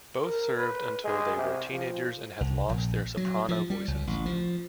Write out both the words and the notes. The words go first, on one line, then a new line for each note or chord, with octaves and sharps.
Both served until they were teenagers and had lost their soprano voices.
A#4
B4
G#3
C3
F3
C2
A#1
F#3
F3
G3
C#2
A1
F3